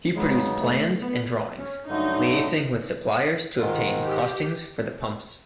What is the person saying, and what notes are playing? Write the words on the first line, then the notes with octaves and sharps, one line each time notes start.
He produced plans and drawings, liaising with suppliers to obtain costings for the pumps.
E2 C#3 F#3 G#3 B3 D#4
A3
B3
C#4
G2 D3 F#3 A3 D#4
G#2 D#3 G#3 F4
G4